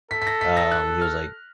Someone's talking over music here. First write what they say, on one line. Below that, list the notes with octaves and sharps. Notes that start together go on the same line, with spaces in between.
um, he was, like
A4 B6
B6
A#6
B6
A#6
F#6
F6